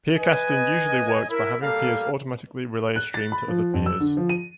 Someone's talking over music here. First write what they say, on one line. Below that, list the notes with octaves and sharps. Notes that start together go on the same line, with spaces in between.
Peercasting usually works by having peers automatically relay a stream to other peers.
B4 D#5 G#5
E4 A#4
G3 A#3 A4 F5
F#6
A6
B5
F3
F2
E6
D3
F3
D#7